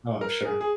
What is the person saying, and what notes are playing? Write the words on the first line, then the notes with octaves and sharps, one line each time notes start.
Oh, I'm sure.
A#4
G#4
G#4